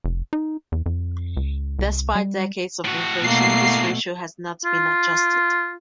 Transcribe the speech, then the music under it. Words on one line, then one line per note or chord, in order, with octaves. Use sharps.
Despite decades of inflation, this ratio has not been adjusted.
F1
D#4
E2
F2
C#2
C2
G3
A2 F#4
B2 A3 A#3 C7
F4